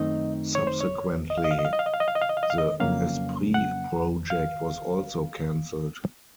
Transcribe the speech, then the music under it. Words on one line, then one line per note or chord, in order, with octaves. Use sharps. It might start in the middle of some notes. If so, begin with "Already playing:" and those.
Subsequently, the Esprit project was also cancelled.
Already playing: F#2 D#3 A3 C4 D#4 D#5
C#5
C5
C#5
D#5
F5
D#5
F5
D#5
F5
D#5
F5
D#5
F5
D#5
F5
D#5
F5
D#5
F5
D#5
F5
D#5
F2 C#3 F#3 A#3 C#4 F5
F#5
F5